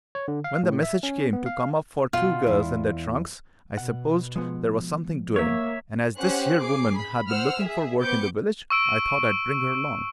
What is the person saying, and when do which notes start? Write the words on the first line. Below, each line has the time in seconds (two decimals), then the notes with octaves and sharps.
"When the message came to come up for two girls and their trunks, I supposed there was something doing, and as this here woman had been looking for work in the village, I thought I'd bring her along."
0.15 C#5
0.28 D3
0.44 F5
0.63 A2
0.83 E5
1.03 C#4
1.33 B3
1.46 F5
2.13 B2 F4
2.46 E2 G#3 E4
3.77 B2 F#5
4.36 F3 G#3 B3
5.36 A#3 C#5 E5
6.17 C#4 G4 C5 F#5 F#6
6.60 G#4 D6 C7
6.97 B5
7.28 C5 F#5 E6 F6
7.61 G#4 E5
8.00 B3 C4 B4 D6 G6 C#7
8.70 C#6 E6 D7